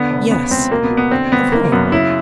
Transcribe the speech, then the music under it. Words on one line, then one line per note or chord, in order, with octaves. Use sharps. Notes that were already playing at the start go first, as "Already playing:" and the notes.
"Yes, of whom?"
Already playing: D3 B3
F1
C#3 B3
C#2 C4
B2 A#3
B3
B2
B3
D3 C4
G1 B3
F#1 A#3
F#2 B3
C#3 E4